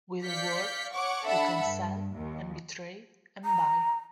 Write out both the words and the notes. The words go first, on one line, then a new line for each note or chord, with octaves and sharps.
With a word, you can sell, and betray, and buy.
D5 F5 G6 B6 C#7
C#5 F#5 C#6 D6
D4 A4 E5 F#5 A5 B5
G2
D#2
A#5